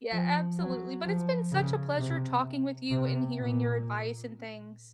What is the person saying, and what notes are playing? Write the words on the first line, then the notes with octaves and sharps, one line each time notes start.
Yeah, absolutely, but it's been such a pleasure talking with you and hearing your advice and things.
F3
F#3
F3
C#3
C3
C3
A#2